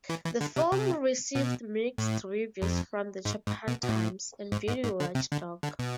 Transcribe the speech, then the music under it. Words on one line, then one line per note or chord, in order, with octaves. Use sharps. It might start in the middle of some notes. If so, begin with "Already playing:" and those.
The film received mixed reviews from "The Japan Times" and "Video Watchdog".
E3
E3
D3
C3
C3
B2
A2
F2
G#2
G#2
B2
B2
A2
G#2
G#2
G#2
D3
C3
D3
D3
B2